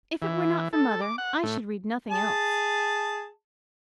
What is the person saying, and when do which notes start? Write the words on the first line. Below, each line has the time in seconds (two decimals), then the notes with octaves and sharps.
If it were not for mother I should read nothing else.
0.22 E3
0.73 A4
1.01 D6
1.18 F#5
1.43 A2
2.11 G#4 A5